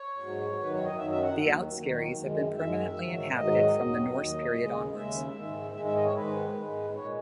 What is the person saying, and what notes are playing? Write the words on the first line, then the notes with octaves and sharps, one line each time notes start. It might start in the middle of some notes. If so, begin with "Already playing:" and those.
The Out Skerries have been permanently inhabited from the Norse period onwards.
Already playing: C#5
G#2 F#3
F#2 D#3 F#3 B4
C#5
D#5
F#2 D#3 F#3 E5
E5
F#5
D#2 D#3 F#3
D#2 D#3 F#3
F#2 D#3 G#3
F#2 D#3 G#3 E5
G#2 D#3 F#3
G#2 D#3 F#3 D#5
D#2 D#3 F#3
D#2 D#3 F#3
D#2 C#3 G#3
D#2 C#3 G#3 E5
G#2 D#3 G#3
G#2 D#3 G#3 E5
E5
D#5
C#5
G#2 D#3 G#3 B4
G#2 D#3 G#3
A#2 G#3 C#5